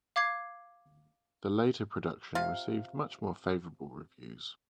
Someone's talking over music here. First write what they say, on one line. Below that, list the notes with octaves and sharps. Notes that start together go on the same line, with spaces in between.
The later production received much more favourable reviews.
F5 D6 G#6 C7
C3 F4 F5